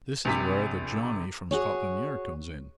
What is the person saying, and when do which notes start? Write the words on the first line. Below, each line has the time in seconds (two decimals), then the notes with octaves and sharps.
This is where the Johnny from Scotland Yard comes in.
0.25 A#1 C3 B6
1.51 F#4 G#4 C#5